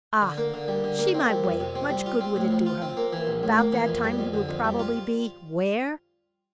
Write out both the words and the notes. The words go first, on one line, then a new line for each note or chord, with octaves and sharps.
Ah! she might wait--much good would it do her; about that time he would probably be--where?
D3
A#3
D3
G3
D3
A#3
C4
G3
F2
C3
C4
G3
F4
C4
A2
F3
F4
C4
A#3
E3
A#1
A2
A#3
E3
F2
G3
F2
D3
F2
G3
F4